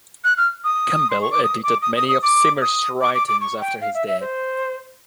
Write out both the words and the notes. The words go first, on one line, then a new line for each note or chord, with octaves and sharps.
Campbell edited many of Zimmer's writings after his death.
F#6
F6
D#6
C6
C#6
D6
D#6
D6
D#6
D#6
D#6
D6
D#6
D6
D6
D6
C#6
G5
F5
E5
E5
C5